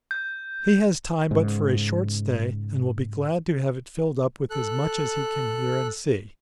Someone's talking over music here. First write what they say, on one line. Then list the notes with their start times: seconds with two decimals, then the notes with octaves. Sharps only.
He has time but for a short stay, and will be glad to have it filled up with as much as he can hear and see.
0.11 G6
1.31 G#2 C#3
4.50 A4 F#6